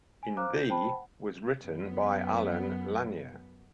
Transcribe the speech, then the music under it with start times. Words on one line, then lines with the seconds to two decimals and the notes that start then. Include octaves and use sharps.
"In Thee" was written by Allen Lanier.
0.23 G#5
0.37 C5 F5 A#5 D6 F6 F#6
0.52 F4 G6
0.69 C5 G5 A5 B5
0.92 F#5
1.62 F#2 B3